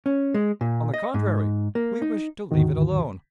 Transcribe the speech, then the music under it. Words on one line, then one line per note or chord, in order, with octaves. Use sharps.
On the contrary, we wished to leave it alone.
C#4
G#3
A#2
D#5
G#2
A#3
D#4
D#2 G#2 D3 D#3 F#4